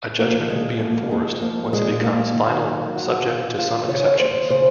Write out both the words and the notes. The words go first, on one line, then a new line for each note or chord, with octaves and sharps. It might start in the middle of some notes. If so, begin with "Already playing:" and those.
A judgment will be enforced once it becomes final subject to some exceptions.
F3 A#3
A#2 G#3
F3 A#3
F3 G#3
F3 A#3
A#2 G#3
F2 A#3
D#3
F#3
D#3 F#4
F2 F4
D#3 F4
C#3 C#5
D#2 C5
C#3 C5